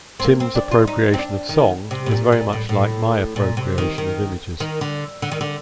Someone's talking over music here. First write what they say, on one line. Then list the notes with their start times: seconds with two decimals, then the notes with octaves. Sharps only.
Tim's appropriation of song is very much like my appropriation of images.
0.20 C4
0.24 A#3
0.40 C4
0.55 D4
0.71 F4
0.87 D#4
1.14 C4
1.19 D4
1.49 D#3
1.91 C3
2.06 A2
2.11 A#2
2.32 A#2
2.53 A2
2.69 A2
3.36 A#2
3.57 C3
3.78 D#3
3.98 D#3
4.60 D#3
4.81 D3
5.22 D3
5.31 D#3
5.41 D3